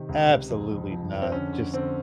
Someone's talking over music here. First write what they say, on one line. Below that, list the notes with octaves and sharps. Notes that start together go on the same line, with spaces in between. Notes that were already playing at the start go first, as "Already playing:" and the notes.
Absolutely not, just
Already playing: C3 D#3
C#2
C3
F2
F2
F3
F2
C4
D3 C#4
D3
D3 C4